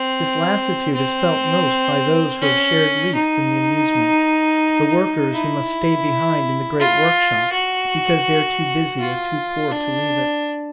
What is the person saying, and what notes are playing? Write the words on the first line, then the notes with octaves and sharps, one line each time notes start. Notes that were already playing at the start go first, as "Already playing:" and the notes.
This lassitude is felt most by those who have shared least in the amusement, the workers who must stay behind in the great workshop because they are too busy or too poor to leave it.
Already playing: C4
C4
C#4
D#4
E4
F4
F#4
F4
D4